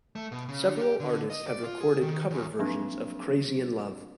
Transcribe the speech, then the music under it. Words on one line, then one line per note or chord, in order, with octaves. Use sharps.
Several artists have recorded cover versions of "Crazy in Love".
A3
B2
C#3
D3
G4
D3
D#5
D5
F4
G#4
D#3
E2
F3 F#3 A#3 C4 D4